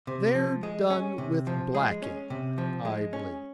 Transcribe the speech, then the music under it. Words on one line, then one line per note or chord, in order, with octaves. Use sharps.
'They're done with blacking, I believe.'
C3
F3
G#3
C#4
C3
F3
G#3
C#4
C3
F3
G#3
C#4